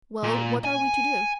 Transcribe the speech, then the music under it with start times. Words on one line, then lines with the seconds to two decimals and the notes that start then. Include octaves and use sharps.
"Well, what are we to do?"
0.24 A#2
0.65 G#5